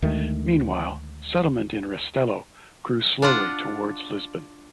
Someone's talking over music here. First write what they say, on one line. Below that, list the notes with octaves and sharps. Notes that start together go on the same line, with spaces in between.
Meanwhile, settlement in Restelo grew slowly towards Lisbon.
D2 D#3 G#3 A3
D4 F4 F#5